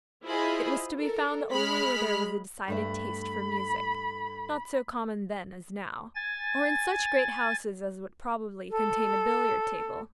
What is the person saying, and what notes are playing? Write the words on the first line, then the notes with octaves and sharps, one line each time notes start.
It was to be found only where there was a decided taste for music, not so common then as now, or in such great houses as would probably contain a billiard-table.
E4 F4 G#4 C5 D#5 B5
A4 A#4
G#3 B5 F6 B6
G2 A3 E5 B5
G#5 A6
A4